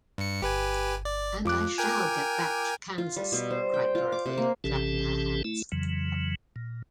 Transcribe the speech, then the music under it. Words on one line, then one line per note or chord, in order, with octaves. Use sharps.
"And I shall get back to Kansas," cried Dorothy, clapping her hands.
G2 C#7
G1 G4 B4 G#5
D5
F2 F4 D6 F#6
A#4 G5 G#5
F4
G3
B2
C5
G5
F4
D6
C3
A#3
A1 C3 E3 C#4 G4 A4
A3 E4
F2 C#3 E3 F#3
A#2